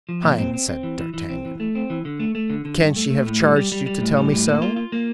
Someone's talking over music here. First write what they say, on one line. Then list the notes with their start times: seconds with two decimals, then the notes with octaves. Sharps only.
"HEIN!" said d'Artagnan, "can she have charged you to tell me so?"
0.09 F3
0.23 A#2
0.38 C4
0.54 C4
0.69 C4
0.83 E3
0.99 E3
1.14 E3
1.29 C4
1.45 E3
1.60 A3
1.75 C4
1.90 E3
2.05 D3
2.20 A3
2.35 A3
2.50 D3
2.65 D3
2.81 G2
2.96 A3
3.10 A3
3.26 A2
3.40 G3
3.56 G3
3.72 G3
3.86 G3
4.01 A2
4.17 G3
4.32 A2
4.47 A#3
4.62 F4
4.76 F4
4.92 A#3